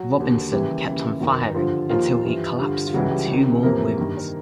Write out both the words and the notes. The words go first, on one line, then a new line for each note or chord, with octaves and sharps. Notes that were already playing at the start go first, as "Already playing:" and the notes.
Robinson kept on firing until he collapsed from two more wounds.
Already playing: F#3 F#4
D#2 D3
D#2 C#3 E3 G3 G4
D#2 C#3 E3
F#2 D#3
G2 D3 F3 F4
D#2 D#3 F3 F4
G2 E3
G2 D3
F4
C#2 C#3 E3 F#3 F#4
G3 G4
C#2 C3 D#3
F2 C3 E3 A#3 A#4
G2 D#3